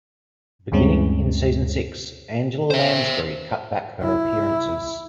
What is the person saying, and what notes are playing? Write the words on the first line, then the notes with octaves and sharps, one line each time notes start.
Beginning in season six, Angela Lansbury cut back her appearances.
D2 G2 G#3 C4 C#4
C5 E5
E4